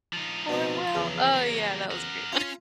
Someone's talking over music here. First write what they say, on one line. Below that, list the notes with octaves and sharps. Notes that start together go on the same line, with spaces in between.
for well. Oh, yeah, that was a great one.
F3 D#4
B2 C4
E2 C#3
F#3 A#3
A#4 F#5
C#4 F4